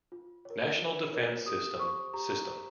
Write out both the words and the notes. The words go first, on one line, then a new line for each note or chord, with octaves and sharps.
National Defense System System.
F4
A#4 C#5
F4
A#4 C#5
G4 D#6
C5 C#6
G4 A#5
C5